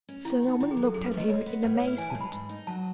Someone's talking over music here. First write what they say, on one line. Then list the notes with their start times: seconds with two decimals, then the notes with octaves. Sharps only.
Sir Norman looked at him in amazement.
0.09 C#4
0.25 D#3 E4
0.43 F#4
0.48 D#4
0.60 D#3 E4
0.71 G#4
0.77 F#3
0.83 A4
0.94 F#2 G#4
1.06 B4
1.11 A3
1.18 D#5
1.28 G#3 C#5
1.46 B3
1.63 A2 B4
1.76 C#5
1.80 E4
1.87 B4
1.98 E3 G#5
2.10 A5
2.15 G#3
2.21 B5
2.32 G#2
2.49 D#4
2.67 F#3 A5